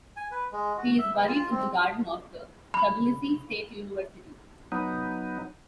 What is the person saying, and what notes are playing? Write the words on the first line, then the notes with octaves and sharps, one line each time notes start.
He is buried in the garden of the Tbilisi State University.
G#5
B4
G#3
F#4
E5
B3
F4
C4
B5
F#3 B3 D#4